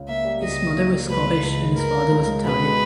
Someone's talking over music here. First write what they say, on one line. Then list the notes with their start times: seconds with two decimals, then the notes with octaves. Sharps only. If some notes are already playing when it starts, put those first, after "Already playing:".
His mother was Scottish and his father was Italian.
Already playing: C#2 C#3
0.08 A#3 E5
0.25 G3
0.42 C#2 D#5
0.59 C#3
0.76 A#3
0.93 G3
1.09 C#2 B4
1.27 C#3
1.43 C#2
1.60 G#3
1.77 C#2 A#4
1.95 C#3
2.11 C#2
2.28 G#3
2.45 B2 B4
2.62 G#3